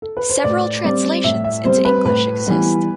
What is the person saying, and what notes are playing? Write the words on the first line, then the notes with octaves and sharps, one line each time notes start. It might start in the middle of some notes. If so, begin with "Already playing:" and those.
Several translations into English exist.
A4
B4
C5
A2 D5
G3 C4 D5
A2 E5
E5
G3 C4 C5
B4
A2 B4
E3 G3 B3